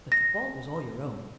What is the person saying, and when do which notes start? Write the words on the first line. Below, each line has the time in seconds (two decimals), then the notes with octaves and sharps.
But the fault was all your own.
0.12 A#6